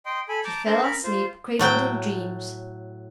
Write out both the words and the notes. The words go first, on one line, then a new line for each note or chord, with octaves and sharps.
She fell asleep cradled in dreams.
D#5 G5 C6
A4 G#5 B5
A5 A#5 D6 G6
D4 A4 A#4 C5
A#4 B5 F6
F4 C5
A2 F#3 G5